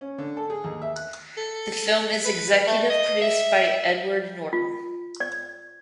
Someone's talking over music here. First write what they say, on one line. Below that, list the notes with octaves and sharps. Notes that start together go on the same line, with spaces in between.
The film is executive produced by Edward Norton.
C#4
D3
A4
G#4
D#2
E5
F#6
A4
B4
A3
D#5
E5
F4
D5